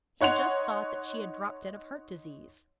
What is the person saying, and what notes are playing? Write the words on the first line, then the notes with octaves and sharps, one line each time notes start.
He just thought that she had dropped dead of heart disease.
D#4 C#5 F#5 C6 F7